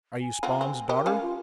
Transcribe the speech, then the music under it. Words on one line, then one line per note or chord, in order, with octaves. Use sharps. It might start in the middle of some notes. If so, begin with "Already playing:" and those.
"Are you Spawn's daughter?"
G#5
B3 C4 F4
C4
G4 A#4 D#5
G3 C#4 F5
F4